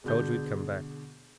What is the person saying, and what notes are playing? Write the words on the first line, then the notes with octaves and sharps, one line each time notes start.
"Told you he'd come back."
B2 D3 G#4 G6